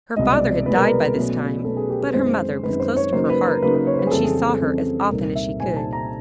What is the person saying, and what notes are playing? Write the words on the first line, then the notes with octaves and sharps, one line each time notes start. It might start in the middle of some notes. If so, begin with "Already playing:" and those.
Her father had died by this time, but her mother was close to her heart and she saw her as often as she could.
C2 B2 G#3 D#5
D5
C2 B2 G#3 B4
A#4
B4
B2 F#3 A3 C#4
B2 F#3 A3 C#4 A4
G#4
G4
G4
F#2 D#3 G#3 C4 D#4 C5
F#2 D#3 G#3 C4 D#4 B4
C5
C#5
C#3 F#3 A#3 D#4 C5
B4
A#4
C#3 F#3 A#3 D#4 B4
B4
C#5
C5
B4
G#4
F2 C#3 E3 G3 C4 A4
G#4
G#4
A4
F2 C#3 E3 G3 C4
C2 A#2 G3 C4 D#4 A#4
E5
C2 A#2 G3 C4 D#4 G#5
A5
A#5